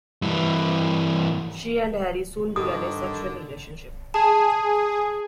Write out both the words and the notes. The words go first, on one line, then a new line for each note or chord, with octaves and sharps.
She and Harry soon began a sexual relationship.
G2 E3
G2 D3 D#3 D#6
G#4 A5